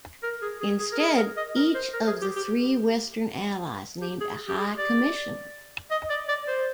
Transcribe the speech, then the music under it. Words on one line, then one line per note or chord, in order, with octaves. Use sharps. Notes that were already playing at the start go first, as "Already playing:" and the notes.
Instead each of the three Western allies named a High Commissioner.
A#4
G#4
G#4
G#4
A#4
G#4
A#4
D#5
A#4
C5
A#4
G#4
G4
G4
G4
G#4
G4
G#4
D5
D#5
D5
D5
C5